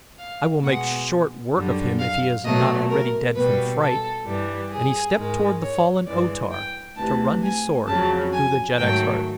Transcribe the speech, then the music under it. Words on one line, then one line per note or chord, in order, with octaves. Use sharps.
"I will make short work of him if he is not already dead from fright," and he stepped toward the fallen O-Tar to run his sword through the jeddak's heart.
F5
B2 G#3 F#5
F#2 D3 G3
F5
B2 F#3 A3 D#5
A#4
B2 G3 B4
A4
G2 E3 G3
G#4
G#2 D#3 G#3
C#5
G2 E3 G#3 D5
G5
D2 C3 E3 A5
G#5
F2 C#3 F#3 A5
G#5
G#2 D#3 F#3 A3 G5